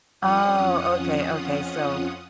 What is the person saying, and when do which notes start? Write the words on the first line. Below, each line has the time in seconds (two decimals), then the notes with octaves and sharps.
Oh, okay, okay, so
0.20 F2 C#4 F4 F#5 D#6